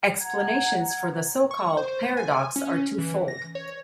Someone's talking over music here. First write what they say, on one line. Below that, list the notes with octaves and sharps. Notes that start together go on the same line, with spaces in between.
Explanations for the so-called paradox are two-fold.
F#5 A#5 G#6
C#6
C5
G#5
C#4
E3
A#6
C#5